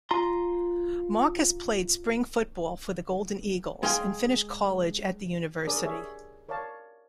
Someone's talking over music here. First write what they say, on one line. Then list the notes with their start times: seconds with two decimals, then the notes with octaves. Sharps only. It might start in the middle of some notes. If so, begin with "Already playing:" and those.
Marcus played spring football for the Golden Eagles and finished college at the university.
0.11 F4 A#5 C6
3.83 G#3 G#4 F5 G5
5.67 D4 G#4 A#4 C#5 D5 D#6
5.84 G4 G#4 C#5 D5 E5
6.49 A#4 C#5 D5 F5 A5